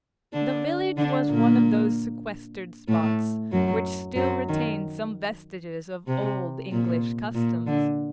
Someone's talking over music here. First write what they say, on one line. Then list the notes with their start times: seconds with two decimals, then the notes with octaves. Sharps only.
The village was one of those sequestered spots which still retain some vestiges of old English customs.
0.33 D3 D4
0.97 D3 D4
1.29 A#2 A#3
2.88 A2 A3
3.52 F#2 F#3
4.16 F#2 F#3
4.49 D#3
6.07 C3
6.71 A#2
7.35 A#2
7.67 D3